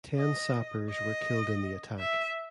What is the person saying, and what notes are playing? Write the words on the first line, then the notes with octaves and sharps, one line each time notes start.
Ten Sappers were killed in the attack.
D#5
D#5
E5